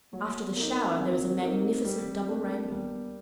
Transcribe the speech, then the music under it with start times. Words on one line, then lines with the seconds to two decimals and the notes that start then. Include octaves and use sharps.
After the shower there was a magnificent double rainbow.
0.13 F#3 A#3
0.41 B3
0.56 A#3 D#4
0.70 C4
0.99 F#3
1.42 A#3 D#4
1.85 G3 C4
2.27 A#3 D4
2.70 G3 B3